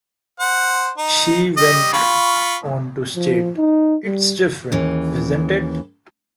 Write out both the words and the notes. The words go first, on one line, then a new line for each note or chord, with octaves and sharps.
She went on to state: It's different, isn't it?
C5 F#5
D#4
G3 D#5
F4 B5 C#6
F3
D#4
G3
D#2 C#3 E3